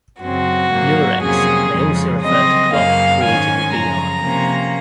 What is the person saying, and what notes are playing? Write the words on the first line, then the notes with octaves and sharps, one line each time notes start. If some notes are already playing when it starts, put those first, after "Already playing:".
"Lurex" may also refer to cloth created with the yarn.
F#2 C#3 F#3 C4 F#4
G#2 F#3 A#3
F2 C3 F#3 A#3 C#4 G#4
F2 C#3 F3 G#3
C#3 F#3 C4 D#5
F#2 C#3 F#3 A#3 F5
G#2 D#3 G#3 C#4 G#5
F#2 C#3 F3 A#5
C3 F3 A#3 C#4